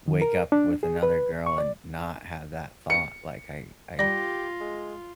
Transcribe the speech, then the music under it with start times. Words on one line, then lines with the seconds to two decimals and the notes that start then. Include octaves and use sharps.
wake up with another girl and not have that thought- like, I I
0.08 D#3
0.22 A#4
0.52 D4
0.83 G#4
1.03 B4
1.46 C#6
1.58 D5
2.90 C#7
3.99 G3 F4 G4 B5 A#6
4.60 G#3